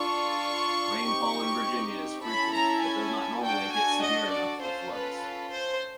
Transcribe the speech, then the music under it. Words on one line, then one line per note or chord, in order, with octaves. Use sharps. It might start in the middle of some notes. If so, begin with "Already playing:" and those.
Rainfall in Virginia is frequent, but does not normally get severe enough for floods.
Already playing: D4 F4 A4 C#6
C4 D#4 G4
C#4 E4 A4 B5
A#5
G#5
D4 F#4 A4 G5
G#5
D#5
D5
C#4 F4 A4 C5
B4
B4
C5